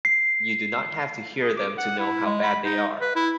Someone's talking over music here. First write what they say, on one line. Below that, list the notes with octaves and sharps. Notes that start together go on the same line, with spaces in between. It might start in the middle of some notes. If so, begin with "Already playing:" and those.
You do not have to hear them to know how bad they are.
C7
G#4
D6
F#5
E4
G#3
B5
D#4
B4
E4